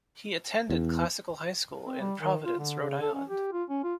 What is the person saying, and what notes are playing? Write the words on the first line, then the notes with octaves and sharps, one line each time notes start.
He attended Classical High School in Providence, Rhode Island.
E2
C4
G3
D#3
F4
D3
C#3
A4
C#4
G4
F4
C#4
F4